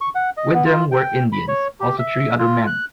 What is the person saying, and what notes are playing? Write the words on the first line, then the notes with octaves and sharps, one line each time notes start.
With them were Indians, also three other men.
C#6
F#5
D#5
B3
F4
G5
B5
C#5
G4
E5
F4
F#6